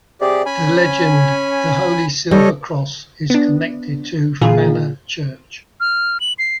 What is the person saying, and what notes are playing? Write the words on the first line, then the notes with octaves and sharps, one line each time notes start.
The legend "The Holy Silver Cross" is connected to Fana church.
C3 G4 G#4 D5
C#4 G#5 B5
C#4
G3 A4 C#5 D#5
B3 D4
A#2 D3 E3 F4 G#4
F6
F#7
C7